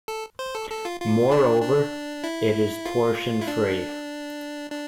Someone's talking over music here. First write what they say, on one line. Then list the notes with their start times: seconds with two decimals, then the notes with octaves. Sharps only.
Moreover, it is torsion-free.
0.08 A4
0.39 C5
0.55 A4
0.70 A4
0.85 F4
1.00 F4
1.32 D4
1.62 D4
2.24 E4
2.86 F4
3.41 E4
3.48 D4
4.71 D4